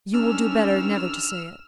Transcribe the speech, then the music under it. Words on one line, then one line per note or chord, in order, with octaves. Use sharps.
"You will do better never to say it."
G2 D#3 C#4 D4 E6 F6